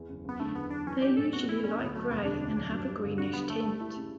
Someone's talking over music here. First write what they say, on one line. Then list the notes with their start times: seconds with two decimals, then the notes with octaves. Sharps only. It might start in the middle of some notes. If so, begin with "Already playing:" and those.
They are usually light gray and have a greenish tint.
Already playing: E2 E4
0.09 F#1
0.24 F#1 B3
0.40 D3 A3
0.55 E2 B3
0.70 F#1 D4
0.86 E3 C#4
1.01 D4 G4
1.17 A2 A4
1.33 B3 F#4
1.49 E3 E4
1.64 C#4 D4
1.79 D2 B3
1.95 F#3 A3
2.10 E1 B3
2.25 D3 D4
2.42 D2
2.57 F#3
2.72 G2
2.87 G3
3.03 G1
3.18 D3 F#4
3.33 G2 B3
3.49 G3 A3
3.64 G3
3.81 E4
3.96 C#3